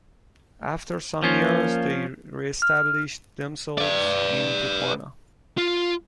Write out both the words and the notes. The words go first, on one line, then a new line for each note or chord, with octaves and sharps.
After some years, they reestablished themselves in Tijuana.
F3 A#3 C#4 F4
F6
B4 D5
F4